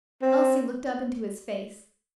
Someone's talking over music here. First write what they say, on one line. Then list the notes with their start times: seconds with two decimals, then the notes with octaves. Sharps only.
Elsie looked up into his face.
0.22 C4